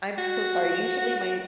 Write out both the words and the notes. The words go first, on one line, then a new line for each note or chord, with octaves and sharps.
I'm so sorry, usually my
F#4